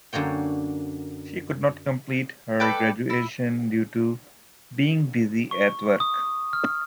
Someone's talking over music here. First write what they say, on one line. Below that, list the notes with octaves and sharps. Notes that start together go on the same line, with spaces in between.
She could not complete her graduation due to being busy at work.
F#2 D3 A#3 C#5 G5
A4 B4 D5 G5
E4
C#6
D#6
F6